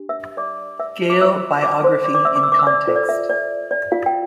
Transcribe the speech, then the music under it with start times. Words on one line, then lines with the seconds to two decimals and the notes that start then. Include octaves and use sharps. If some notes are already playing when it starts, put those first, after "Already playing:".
"Gale Biography In Context".
Already playing: D4 G4
0.09 E5 E6
0.37 D5 D6
0.80 E5 E6
1.10 D6
1.21 F4 C5 E5 E6
1.62 D5 D6
1.84 C5 C6
2.04 D5 D6
2.14 D5 D6
2.25 E5 E6
2.36 D6
2.43 E6
2.52 D6
2.59 E6
2.67 D5 D6
2.87 F4 A4 C5
2.96 D5
3.09 E5
3.29 D5
3.71 D5
3.92 F4 F5
4.06 G5